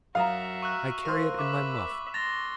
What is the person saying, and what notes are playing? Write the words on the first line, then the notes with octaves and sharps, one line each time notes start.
I carry it in my muff.
F#2 F#4 E5 F5 A#5 D#6
C#6 E6 F#6
A#4 C5
E5 B5 D6
A#5 C6 A6 A#6